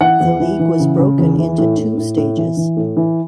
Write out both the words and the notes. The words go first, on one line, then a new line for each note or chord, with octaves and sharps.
The league was broken into two stages.
E3 F#5
E2
E3
E3
C#3
C#3
E2
E3
A2
A2
A2
A2
E3
E3
A2
E3